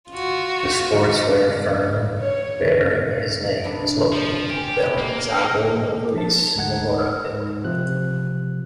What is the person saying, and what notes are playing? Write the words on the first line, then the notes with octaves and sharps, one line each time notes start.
The sportswear firm bearing his name is located in Bellinzago Novarese, Novara, Italy.
F4 F#4
C#5
C3 B3 D4
F3
G4 G#5
B3 G4
A#3
F3 A5
D2 G#2 D#4 F#5 G#6
G#2
C3 F3 F#6